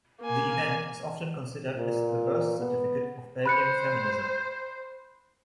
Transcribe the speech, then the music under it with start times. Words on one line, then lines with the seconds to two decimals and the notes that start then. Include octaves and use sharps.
The event is often considered as the "birth certificate" of Belgian feminism.
0.22 A#3 G#5
1.76 A#2
2.59 B3
3.46 C5 B5 F#6 C#7